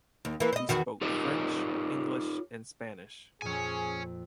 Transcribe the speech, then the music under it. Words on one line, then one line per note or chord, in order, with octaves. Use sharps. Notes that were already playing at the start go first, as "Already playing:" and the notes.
He spoke French, English, and Spanish.
D#2
E3 A#3
C5 D#5
E2 D#3 F#4
D#4 F4 G4 A#4 C#5 D#5
F2 A#2 G#4 C#5 G#5